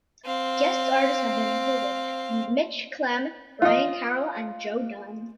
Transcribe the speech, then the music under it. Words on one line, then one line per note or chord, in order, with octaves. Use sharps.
Guest artists have included Mitch Clem, Brian Carroll and Joe Dunn.
C4 F5
F4 D#5